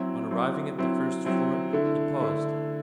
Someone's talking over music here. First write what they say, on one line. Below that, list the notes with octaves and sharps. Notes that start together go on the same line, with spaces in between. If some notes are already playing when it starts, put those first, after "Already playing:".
On arriving at the first floor, he paused.
Already playing: F#3 C4 E4
F#3 C4 E4
F#3 C4 E4
F#3 C4 E4
D3 A3 E4
D3 A3 E4